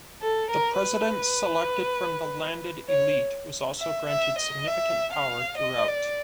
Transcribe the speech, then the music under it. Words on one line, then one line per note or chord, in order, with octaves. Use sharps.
The president, selected from the landed elite, was also granted significant power throughout.
A4
A#4
B4
C#5
E5
E5
D#5
E5
F5
D#5
D5